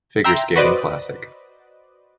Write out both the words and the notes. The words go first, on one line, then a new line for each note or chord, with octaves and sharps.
Figure Skating Classic.
E5 G5 A#5 C6
F#4 B4 C5 D5 D#5